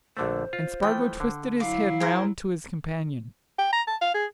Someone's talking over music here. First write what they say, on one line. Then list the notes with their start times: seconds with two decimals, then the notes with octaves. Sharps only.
And Spargo twisted his head round to his companion.
0.17 A#1 D3 A3 C5
0.53 F4
0.83 E3 F3 A3 G5
1.20 D3
1.60 F#3 E4 F5 D6
2.00 G#4 A#4 C5
3.59 G5
3.73 A#5
3.88 A5
4.01 F5
4.14 G#4